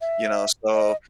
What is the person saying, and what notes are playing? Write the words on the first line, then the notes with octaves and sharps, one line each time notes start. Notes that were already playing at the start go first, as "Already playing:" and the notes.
you know, so,
E5
D#5